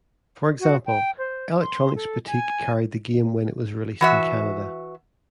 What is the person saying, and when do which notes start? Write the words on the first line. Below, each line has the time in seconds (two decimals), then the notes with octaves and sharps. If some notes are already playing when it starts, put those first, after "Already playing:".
For example, Electronics Boutique carried the game when it was released in Canada.
0.60 F#4
0.86 G5
1.18 C5
1.61 C6
1.95 A4
2.27 G#5
4.01 E3 F#4 E5